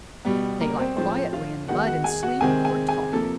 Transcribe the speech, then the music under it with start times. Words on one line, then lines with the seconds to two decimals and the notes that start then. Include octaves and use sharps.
They lie quietly in the mud and sleep or talk.
0.25 B2 G3 B3
0.61 A#3 A#4
0.79 C4 C5
0.97 A2 F3 G#3 C4 C5
1.33 F4 F5
1.68 D#3 G#3 B3 F#4 F#5
1.87 F#4 F#5
2.04 G#4 G#5
2.23 F#4 F#5
2.41 C3 D#3 G#3 C4 G#4 G#5
2.64 G#4 G#5
2.89 G#4 G#5
3.12 C3 F3 A#3 A4 A5